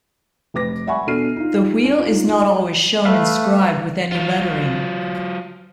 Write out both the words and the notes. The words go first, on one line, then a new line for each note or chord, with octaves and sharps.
The wheel is not always shown inscribed with any lettering.
F1 B4 D6 A#6
D5 E5 F#5 G#5 B5 C#6
B2 D4 A4 F6 C7 D#7
D#4 F4
C#4
D#4 F4
A3 B4 E5 F5
F#3 F4